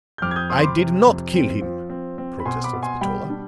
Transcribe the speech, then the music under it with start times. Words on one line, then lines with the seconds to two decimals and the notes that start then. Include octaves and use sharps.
"I did not kill him," protested Spatola.
0.18 G6
0.22 F2 D6 F6
0.31 G#6
0.36 D#6 G6
0.50 C4 C6 D#6
0.60 C6
0.64 B5 D6
0.78 C3
1.06 F2
1.34 C4
1.62 F3
1.90 C4
2.18 C4
2.40 B5
2.45 B2 G#5 C6
2.64 B5 D6
2.73 B2
2.83 G#5 C6
3.01 G3 G5 B5
3.30 D4